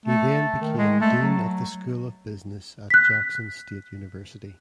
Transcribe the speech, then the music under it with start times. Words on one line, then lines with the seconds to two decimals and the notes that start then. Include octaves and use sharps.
He then became dean of the school of business at Jackson State University.
0.06 A3
0.61 D#3
0.77 G#3
1.01 A3
1.22 F#3
2.90 F#6 B6